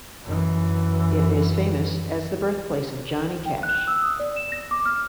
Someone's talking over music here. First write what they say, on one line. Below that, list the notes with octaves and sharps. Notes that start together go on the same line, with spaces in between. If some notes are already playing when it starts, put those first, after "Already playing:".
It is famous as the birthplace of Johnny Cash.
F#2 E3
G5
F#6
E6
D#6
D5
E7
A#6
D6
F6